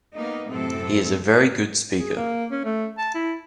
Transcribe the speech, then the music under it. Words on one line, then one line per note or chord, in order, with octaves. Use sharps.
He is a very good speaker.
A#3 B3 D#4
F#2 A2 C3 C4 A4
G#4
A#3
C#4
A3
A5
E4